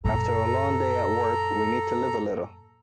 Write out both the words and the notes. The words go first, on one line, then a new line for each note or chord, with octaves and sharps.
After a long day at work, we need to live a little.
F#2 A#2 A4 A#5